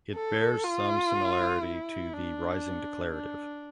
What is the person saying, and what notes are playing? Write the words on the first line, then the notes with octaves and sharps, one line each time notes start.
It bears some similarity to the rising declarative.
A4
F4
E4
D4
D4